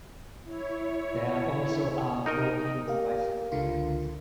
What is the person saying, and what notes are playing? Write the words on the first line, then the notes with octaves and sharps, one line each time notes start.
There also are walking and bicycle trails.
E4 C#5
D#4 A#4 D#5
G4 A#4 F5
C#2 D3 F4